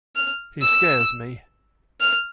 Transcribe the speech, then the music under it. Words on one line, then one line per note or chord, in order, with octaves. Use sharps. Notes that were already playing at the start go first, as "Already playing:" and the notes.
He scares me.
F6
E6
F6